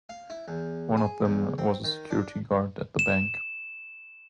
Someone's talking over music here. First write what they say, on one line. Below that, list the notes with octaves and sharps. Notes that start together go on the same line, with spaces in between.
One of them was a security guard at the bank.
F5
E4
E2
G#4
E2
C4
D#3
D4
E7